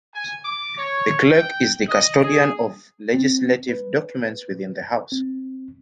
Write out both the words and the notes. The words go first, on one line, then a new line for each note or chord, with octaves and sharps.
The Clerk is the custodian of legislative documents within the House.
G#5
D6
C#5
G5
D#5
G#4
C4
B4
C4